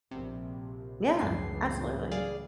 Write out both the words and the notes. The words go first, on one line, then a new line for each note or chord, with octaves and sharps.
Yeah, absolutely.
A#1 C3
C#2 F#2 A2 E3 D4 C7
G#4 D5 F5